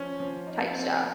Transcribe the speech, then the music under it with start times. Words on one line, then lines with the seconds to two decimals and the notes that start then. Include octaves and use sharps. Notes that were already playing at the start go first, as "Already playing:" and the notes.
type stuff.
Already playing: F3 C#4
0.20 F3
0.47 D#4
0.73 C4